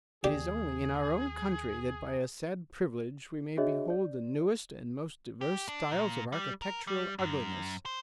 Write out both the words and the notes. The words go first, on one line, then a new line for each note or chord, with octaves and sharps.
It is only in our own country that by a sad privilege we may behold the newest and most diverse styles of architectural ugliness.
D#2 G4 G#4 D5
D4 F#4 G#4 C#5 D#5 E5
D5
G4
D4
A#2
G3
A#4
G3
F#2
C5